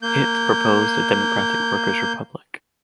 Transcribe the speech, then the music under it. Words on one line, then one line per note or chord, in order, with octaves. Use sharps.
It proposed a "democratic workers' republic".
A#3 G6